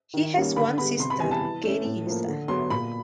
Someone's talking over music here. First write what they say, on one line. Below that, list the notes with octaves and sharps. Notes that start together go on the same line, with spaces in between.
He has one sister, Katiucia.
D#3
G3 A#3 C#4
D3 B5
G3 B3 B5
C3 C6
B5
E3 G3 B3 G#5
A5
E3
A3 C#4
A2
F3 A#3
D3
F#3 B3 C6
A#2 B5